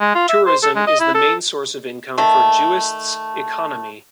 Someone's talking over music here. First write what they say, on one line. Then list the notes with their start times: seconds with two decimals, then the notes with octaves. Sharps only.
Tourism is the main source of income for Juist's economy.
0.01 G#3
0.15 F4
0.29 E5
0.47 C5
0.63 A4
0.76 G#3
0.87 D#5
1.00 E4
1.15 A4
2.18 D#3 A3